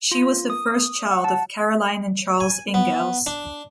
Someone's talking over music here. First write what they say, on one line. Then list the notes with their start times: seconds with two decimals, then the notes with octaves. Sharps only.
She was the first child of Caroline and Charles Ingalls.
0.11 F4
0.50 D#6
1.11 F#5
1.24 A5
2.40 G#5
2.74 B3
3.27 D4